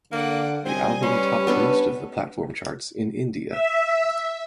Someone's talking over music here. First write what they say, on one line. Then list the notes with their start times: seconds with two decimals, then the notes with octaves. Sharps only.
The album topped most of the platform charts in India.
0.12 D3 A#3 D5 F#5
0.65 G3 C4 D#5 G#5
1.03 C#4 B4 C6
1.47 B3 D4 A4
3.49 E5